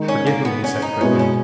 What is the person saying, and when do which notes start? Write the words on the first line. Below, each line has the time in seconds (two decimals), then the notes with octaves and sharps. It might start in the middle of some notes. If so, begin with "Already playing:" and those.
"Forgive me," he said quickly.
Already playing: D#3 G#3 D#4 A#4
0.08 C#4
0.27 A#3
0.45 B3
0.64 C#4
0.82 D#4
1.01 B2 G#3 B3 C#4 E4
1.19 C#4